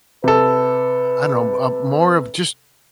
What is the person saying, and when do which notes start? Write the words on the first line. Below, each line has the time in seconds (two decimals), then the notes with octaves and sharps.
I don't know uh, a more of just
0.24 C3 A4 B4